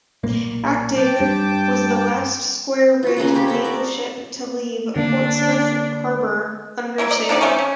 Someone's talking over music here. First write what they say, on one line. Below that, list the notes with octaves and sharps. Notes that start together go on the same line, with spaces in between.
"Active" was the last square-rigged naval ship to leave Portsmouth Harbour under sail.
B1 A#2 A#3
G5 A5 D6
G2
F4 F#4
C#3 A#3 C#4 F4
C4 C#4 G4
B3 C#4 A4
A#4 D5
D3 A#3 D4
E3 A3 A#4 E5
D5 D#5
D4 D#4 G4 D5
D#3 A3 C4 C#4
C#4